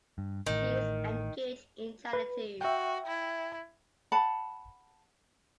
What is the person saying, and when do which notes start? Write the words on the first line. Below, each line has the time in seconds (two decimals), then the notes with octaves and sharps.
She is engaged in charities.
0.18 G2
0.47 A1 A2 D#3
2.13 B4
2.61 F#4 E5 G5
3.07 E4
4.12 F#5 A5 B5